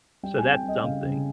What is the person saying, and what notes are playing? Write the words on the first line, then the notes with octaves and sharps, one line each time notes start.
So that's something.
G3 G5
G#5
C4
G5
G3 D#5
C#3 F5
C#3